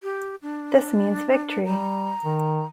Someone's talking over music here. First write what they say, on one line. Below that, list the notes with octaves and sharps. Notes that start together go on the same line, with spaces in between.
This means victory.
G4
D4
G3 A#5
D#3